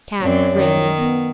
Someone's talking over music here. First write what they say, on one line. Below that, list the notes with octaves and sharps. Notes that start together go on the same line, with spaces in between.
Tad grinned.
F#2 C4 C#5 D5
D#3
B3